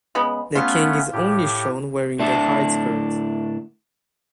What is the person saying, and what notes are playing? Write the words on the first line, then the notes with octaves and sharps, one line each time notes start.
The king is only shown wearing the hide skirt.
C#3 G#3 B3
A3 B3 C#4 F4
A2 G4
A2 D3 D4 E5 A5